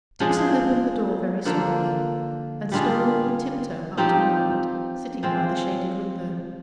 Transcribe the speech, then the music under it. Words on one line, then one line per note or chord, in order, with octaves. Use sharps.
Dixon opened the door very softly, and stole on tiptoe up to Margaret, sitting by the shaded window.
F3 G#3 D4 G#4
D3 F3 A#3 D4
G3 D4 F4 G#4
F3 C4 D#4 G4
F3 G#3 C4